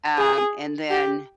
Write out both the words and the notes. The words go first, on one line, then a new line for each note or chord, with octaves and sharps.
um, and then
G#4
G4